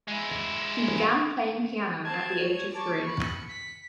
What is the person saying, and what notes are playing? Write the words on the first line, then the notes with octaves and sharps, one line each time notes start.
He began playing piano at the age of three.
G#3 E4
C4 A5 G#6
C#5
A5 C#6 D6
B5 C#7
B6